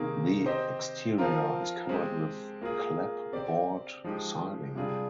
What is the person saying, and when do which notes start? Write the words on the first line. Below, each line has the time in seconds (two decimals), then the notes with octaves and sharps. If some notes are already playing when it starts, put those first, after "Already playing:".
The exterior is covered with clapboard siding.
Already playing: C3 D#3 A#3 D#4 G#4
0.46 C4 G4 C5 D#5
1.18 F3 C4 F4 A#4
1.89 G#3 C4 G4
2.62 A#3 F4 G#4
3.33 C4 G4 D5
4.04 F3 G#3 D#4 G4
4.75 C3 G3 D4 F4 G#4